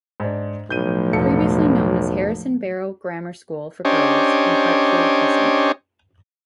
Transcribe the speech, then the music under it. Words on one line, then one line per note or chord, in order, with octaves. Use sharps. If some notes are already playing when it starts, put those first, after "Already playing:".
Previously known as Harrison Barrow Grammar School for Girls and Hartfield Crescent.
G#2 D4
B1 A2 F3 G6 D#7
E1 A4 C#7
C#4 D4 G4 C5 C#5 D#5